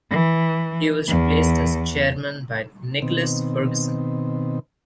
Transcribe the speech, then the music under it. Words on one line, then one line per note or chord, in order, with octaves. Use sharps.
He was replaced as chairman by Nicholas Ferguson.
E3
E2
B2 D#3 C4